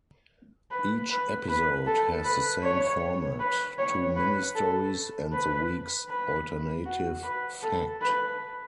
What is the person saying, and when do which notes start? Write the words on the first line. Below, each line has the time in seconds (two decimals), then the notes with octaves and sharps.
Each episode has the same format, two mini-stories and the week's alternative fact.
0.71 B4
1.09 B4
1.48 B4
1.86 A4
2.25 B4
2.63 C#5
3.39 B4
3.78 C#5
4.16 B4
4.55 A4
5.32 B4
6.09 B4
6.85 F#4
7.23 B4
7.63 A4
8.01 B4